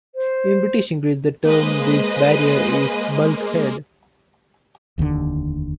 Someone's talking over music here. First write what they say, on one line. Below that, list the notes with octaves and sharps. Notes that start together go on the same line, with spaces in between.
In British English, the term for this barrier is bulkhead.
C5
G#3 A#3 B4 C5 D#5
F1 D#2 A2 D3